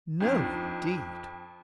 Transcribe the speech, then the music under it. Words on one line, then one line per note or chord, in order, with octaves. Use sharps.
"No, indeed!"
F2 C4 D4 D#4